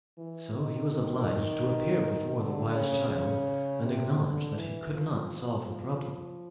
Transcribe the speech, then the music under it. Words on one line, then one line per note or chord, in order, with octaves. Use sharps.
So he was obliged to appear before the wise child and acknowledge that he could not solve the problem.
E3
D#3
D#3
D3
C#3
C#3
C3
D3
E3
F3